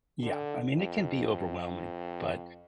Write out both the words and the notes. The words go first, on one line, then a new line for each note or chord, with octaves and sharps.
Yeah. I mean, it can be overwhelming, but
D3
F2